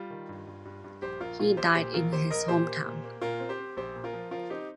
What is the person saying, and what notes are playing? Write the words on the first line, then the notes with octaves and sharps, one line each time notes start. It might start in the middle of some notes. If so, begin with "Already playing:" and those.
He died in his hometown.
Already playing: G3 F4
D#3
G2
G2
G2
G2
A#1 G4 C5
A#1 F4 A#4
A#2 F4 A#4
A#1 G4 C5
A#2 G4 C5
A#1 F4 A#4
A#3 G4 C5
A#1 A#4 D#5
A#2 G4 C5
A#3
A#2
A#3
A#2 F4 A#4
C4
G4 C5
C4
A#1 G4 C5
A#2
F4 A#4
F3
F3 F4 A#4
C4 D#4 G4